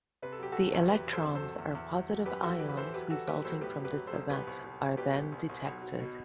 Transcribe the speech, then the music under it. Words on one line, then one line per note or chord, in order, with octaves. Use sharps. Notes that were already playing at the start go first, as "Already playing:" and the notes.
The electrons or positive ions resulting from this event are then detected.
C3 B4
A4
F#3 G4
F#3 F#4 A4
E2
F#3 G4 B4
C2
A4 C5
C3
A4 C5
F#3
E2
E2
F#3
F#3
F#2 G4 B4
E3 F#4 A4
E3 G4 B4
B4
E3 A4 C5
F#3 G4 B4
F#3 F#4 A4
F#3 G4 B4
B1 A4 C5
A2 G4 B4
F#3
G4 B4
F#3
B1 A4 C5
C2 G4 B4
C2
C2
C2
B2 G4 B4
C2
C2
C2
B1
F#3
B2